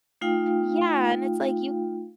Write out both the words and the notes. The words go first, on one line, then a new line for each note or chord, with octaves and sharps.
Yeah, and it's, like, you
A3 D#4 F4 F5 G5